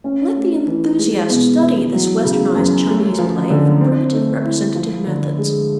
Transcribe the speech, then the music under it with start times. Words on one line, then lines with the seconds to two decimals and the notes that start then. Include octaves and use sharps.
Let the enthusiast study this westernized Chinese play for primitive representative methods.
0.04 C#4
0.35 A3
0.67 E3
0.98 G#3
1.30 B2
1.61 E2
1.93 F#3
2.24 C#3
2.55 F#2
2.87 A3
3.19 F3
3.50 D3
3.81 C4
4.13 A3
4.44 E4
4.75 F3
5.07 D3
5.38 G#3